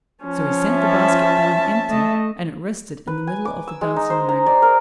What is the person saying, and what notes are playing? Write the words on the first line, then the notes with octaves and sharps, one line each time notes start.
So he sent the basket down empty, and it rested in the middle of the dancing ring.
F3 C#4
E5 A5
A3 D#5
B4
G#5
D6
E6
G#3
D#4
C5
A#5
D5
A#4